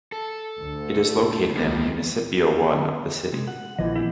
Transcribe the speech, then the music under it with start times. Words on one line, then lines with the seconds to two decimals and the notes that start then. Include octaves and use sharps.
It is located in Municipio One of the city.
0.12 A4
0.59 D2 D3
1.57 C#2 G#3 F4 G4
3.32 C3 G#3
3.48 F#5
3.79 A#1 E3 F3 D#5
3.96 A#3 C4 E4